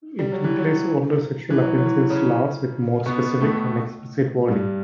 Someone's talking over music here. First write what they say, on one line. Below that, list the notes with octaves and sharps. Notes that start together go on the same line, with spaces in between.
It replaced older sexual offences laws with more specific and explicit wording.
G3
F#3
E3
F#3
E3
F#3
F#3
E3
C#3 C#4
B2 B3
A2 A3
G2 G3